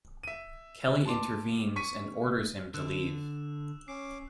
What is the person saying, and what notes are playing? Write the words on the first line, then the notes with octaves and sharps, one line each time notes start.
Kelly intervenes and orders him to leave.
E5 D#7
A5 C6 D6
C#6 B6 D#7
D3 E6 F#6 E7
C#4 D6 C7